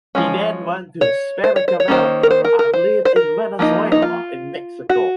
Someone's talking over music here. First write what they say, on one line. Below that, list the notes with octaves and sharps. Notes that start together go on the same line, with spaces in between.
He then went to Hispanic America, and lived in Venezuela and Mexico.
F3 G#3 C#4
C#5
C5
C#5
C5
C#5
D#3 A#3 C#4 C5
A#4
C5
A#4
A#4
C5
C5
A#4
F3 A#3 D#4
D#4
F4
F#4